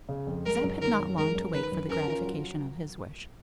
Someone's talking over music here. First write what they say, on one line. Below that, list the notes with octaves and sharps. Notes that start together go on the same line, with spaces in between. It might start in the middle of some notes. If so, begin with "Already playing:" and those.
Zeb had not long to wait for the gratification of his wish.
C#3
F2
G#3 A#4
F#2
D#3 A#4
F#2
G#3 A#4
F#2
D#3 B4
F#2
C#4 A#4
F4
F#3